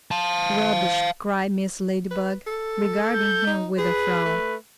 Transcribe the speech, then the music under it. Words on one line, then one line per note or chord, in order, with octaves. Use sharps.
"Rubbish!" cried Mrs. Ladybug, regarding him with a frown.
F5 A5
B4
A4
G6
D#4
G#4 B4
A3